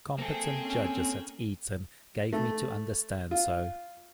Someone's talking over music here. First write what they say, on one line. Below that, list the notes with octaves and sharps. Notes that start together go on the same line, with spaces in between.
Competent judges at Eton gave me to understand so.
A#3 C4 G#4 A4 G5
C#4
A3
F4